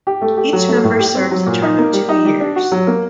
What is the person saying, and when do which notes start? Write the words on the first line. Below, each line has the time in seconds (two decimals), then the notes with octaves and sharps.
Each member serves a term of two years.
0.07 G4
0.22 A3
0.37 G4
0.53 F#3
0.69 A3
0.84 A2
0.99 G4
1.15 C4
1.31 F#3
1.46 A#2
1.62 D#4
1.78 A#3
1.93 G3
2.09 D#4
2.25 G3
2.40 D4
2.56 F#4
2.72 F#3
2.87 A#3